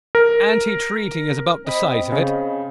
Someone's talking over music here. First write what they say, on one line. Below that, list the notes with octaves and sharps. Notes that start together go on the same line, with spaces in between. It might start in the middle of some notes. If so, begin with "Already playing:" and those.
Antitreating is about the size of it.
A#4
C4 D#5 B5
C#3